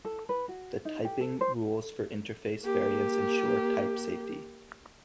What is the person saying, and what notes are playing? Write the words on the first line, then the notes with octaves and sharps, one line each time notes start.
The typing rules for interface variance ensure type safety.
A4
B4
F#4
D#4
G4
A4
C5
A#3 G4